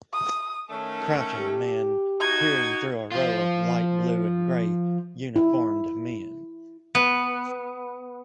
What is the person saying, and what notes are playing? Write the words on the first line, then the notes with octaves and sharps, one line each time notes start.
Crouching man peering through a row of light blue and gray uniformed men.
D#6
D#3 A3 C#4 A4
G4
D#4 F#4 G#6
F3 F4
E4
B3